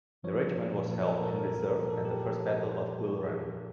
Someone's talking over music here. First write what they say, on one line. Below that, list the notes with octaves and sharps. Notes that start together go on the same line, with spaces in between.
The regiment was held in reserve at the First Battle of Bull Run.
F3 B4 C#5
F3
A#2
A#2
F3 A4
A#4
F3 A4
A#4
A4
A#2 A#4
A4
A#2 A#4
A4
F3 A#4
A4
F3 A#4
A4
A#4
A#2 A4
A#4
A#2 G4 A4
F3 G4 A4